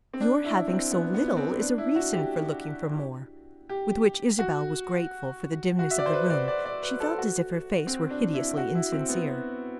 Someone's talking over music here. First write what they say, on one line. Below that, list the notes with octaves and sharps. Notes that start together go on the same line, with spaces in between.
"Your having so little is a reason for looking for more." With which Isabel was grateful for the dimness of the room; she felt as if her face were hideously insincere.
C4
D4
E4
C4
B3
B3
C4
D4
E4
F#4
G4
G4
F#4
F#4
E5
D5
C5
B4
D5
D5
D5
B4
A4
F#4
C4
D4
E4
F#4
E4
C4
B3